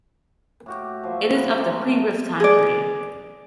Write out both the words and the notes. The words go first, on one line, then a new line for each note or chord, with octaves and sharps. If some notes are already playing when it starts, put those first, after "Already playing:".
It is of the pre-rift time period.
A2 F#4 G4
F3 F#3 A#3 E5
A2 F#5 B5
G#3 D5 A#5
A3 C4
G#4 D5